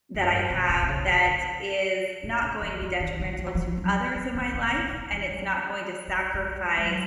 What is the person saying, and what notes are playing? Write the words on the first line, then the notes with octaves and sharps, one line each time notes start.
that I have that is not going to be detrimental to others in my life, and it's not going to sacrifice
F2
F#2
G#2
C3
C3
C3
C#3
C#3
C3
A#2
C#3
D#3
F3
D#3
C#3
F3
F#3
F3
F#3
F3
D#3
C3
A#2
C3
D#3
F#3
G#3
G#3
G#3
F#3